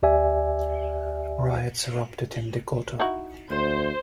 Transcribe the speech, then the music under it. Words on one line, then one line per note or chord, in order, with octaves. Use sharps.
Riots erupted in Decoto.
D2 G4 D5 E5 G#5
D#4 E4 F#4
D2 C5